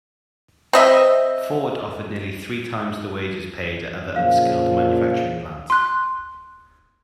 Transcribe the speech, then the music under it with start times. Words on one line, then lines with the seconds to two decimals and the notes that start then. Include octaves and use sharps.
Ford offered nearly three times the wages paid at other unskilled manufacturing plants.
0.73 C4 D#5 E5
4.16 A#2 C#3 F3 F5
5.70 C6 F#6